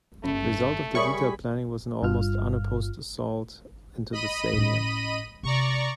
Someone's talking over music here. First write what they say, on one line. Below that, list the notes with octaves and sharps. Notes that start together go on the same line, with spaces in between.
The result of the detailed planning was an almost unopposed assault into the salient.
G1 A3 C#4
G3 G#4 A#4 C#5 E5 B5 C#6
G1 G2 F4 F6
D#5 B5 D#7
A2 C#4
C3 D5 A#5 C#6